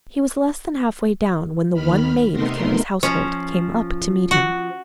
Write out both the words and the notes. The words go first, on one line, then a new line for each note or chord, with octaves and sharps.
He was less than half-way down when the one maid of Kara's household came up to meet him.
D#2 D#3 B5 F6
C3 A3 B3 D#4 A#4 C6
F3 C#4
F#4